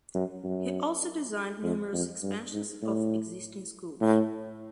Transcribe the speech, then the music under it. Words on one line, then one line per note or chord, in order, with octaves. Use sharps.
He also designed numerous expansions of existing schools.
F#2
F#2
F2
F2
G2
G#2
A2
A2